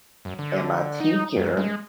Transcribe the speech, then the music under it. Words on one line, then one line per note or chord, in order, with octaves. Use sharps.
and my teacher
F#2
D3
D#4
F#2
G#3